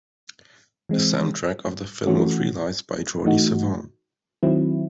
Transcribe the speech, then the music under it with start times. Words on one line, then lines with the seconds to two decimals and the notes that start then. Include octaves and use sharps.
The soundtrack of the film was realized by Jordi Savall.
0.89 E3 G#3 C4
2.07 E3 A3 C#4 F#4
3.25 E3 A3 D#4 F#4
4.43 D#3 F#3 C4 E4